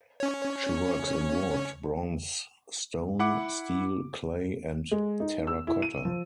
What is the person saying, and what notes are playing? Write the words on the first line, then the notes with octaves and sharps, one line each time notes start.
She works in wood, bronze, stone, steel, clay and terracotta.
C#4 C#5
E4 F#5 D6
G#3
D#4
E6
E4
D#7
F3